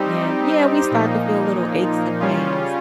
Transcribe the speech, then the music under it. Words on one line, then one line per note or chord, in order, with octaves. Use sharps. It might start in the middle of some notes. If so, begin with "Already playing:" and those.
And, yeah, we start to feel little aches and pains,
Already playing: G3 C4 D#4 G4
A#2 F3 A#3 D#4
C#3 G3 C#4 F4